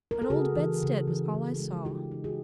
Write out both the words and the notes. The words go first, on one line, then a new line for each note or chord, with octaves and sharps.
An old bedstead was all I saw.
A#4
A4
C#3 F#4 G#4
E3
C#3
E3
E3
G#3
D#4 F4 G4
D#4
F#4 G#4